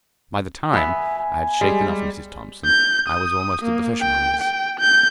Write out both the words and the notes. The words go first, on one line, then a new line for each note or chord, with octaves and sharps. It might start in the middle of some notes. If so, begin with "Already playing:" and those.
By the time I had shaken off Mrs. Thompson I was almost at the fishmonger's.
B3 E5 G#5
G#5
G3 G#3
G6
D#6
A#3
G5
G5
G6